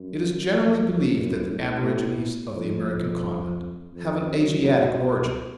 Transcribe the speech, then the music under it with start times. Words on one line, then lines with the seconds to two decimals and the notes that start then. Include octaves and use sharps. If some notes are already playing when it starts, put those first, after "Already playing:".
It is generally believed that the Aborigines of the American continent have an Asiatic origin.
Already playing: F#2
0.42 F2
1.12 F#2
1.47 A2
1.82 A2
2.52 F2
3.93 F2
4.27 F#2
4.63 B2
4.97 B2